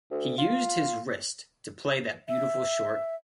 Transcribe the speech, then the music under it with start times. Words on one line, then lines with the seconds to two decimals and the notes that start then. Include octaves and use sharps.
He used his wrist to play that beautiful short.
0.11 D2
0.38 F4
2.28 E5